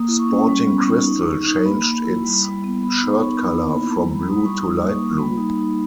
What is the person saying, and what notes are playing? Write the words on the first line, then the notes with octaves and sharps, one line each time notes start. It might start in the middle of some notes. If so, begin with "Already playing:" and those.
Sporting Cristal changed its shirt color from blue to light blue.
Already playing: A#3 D#6
E4
C#6
C#4
G3
B3
D#4
D#4
D#4
D#4
A#3 B5
A#3
E4
G3
G3
B3
B3 B5
D#4
C#6
B3
E4 B5
A#3
B5
E4
G3 A#5
B5
G3
D#6
G3 C#6
D#4 D#6
A#3
C#6
A#3
G3 B5
D#4
D#4